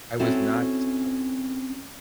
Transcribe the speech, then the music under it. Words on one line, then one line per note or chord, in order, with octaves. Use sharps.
I was not I
C4 C#4 E4 F#4 A4